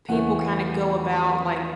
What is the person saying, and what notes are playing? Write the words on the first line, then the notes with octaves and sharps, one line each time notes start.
people kinda go about, like,
E2 C#3 E3 A3 F#5